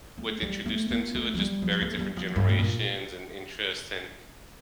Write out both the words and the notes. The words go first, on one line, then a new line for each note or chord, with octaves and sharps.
would introduce them to, it's just very different generations, and interests, and
A3
G3
A3
A#3
A3
F3
G3
F3
A3
F3
G3
F3
G2
A2
A#2